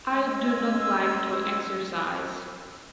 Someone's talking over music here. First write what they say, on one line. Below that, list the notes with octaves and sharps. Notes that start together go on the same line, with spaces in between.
I do not like to exercise.
D#2 G#3 C#4 G#5 E6